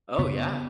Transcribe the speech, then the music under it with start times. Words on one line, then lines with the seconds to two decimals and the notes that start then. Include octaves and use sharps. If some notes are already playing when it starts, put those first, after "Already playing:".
Oh, yeah,
0.18 F#2 C#3 B3